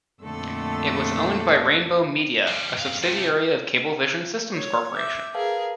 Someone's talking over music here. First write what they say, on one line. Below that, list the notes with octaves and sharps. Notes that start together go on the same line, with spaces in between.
It was owned by Rainbow Media, a subsidiary of Cablevision Systems Corporation.
F2 A#2 D3 A3 A4 E6
F3 G3
G2 F5
C3 A3
C#5
E5 D6 E6 G6
G#4 A#4 B4 F5 A5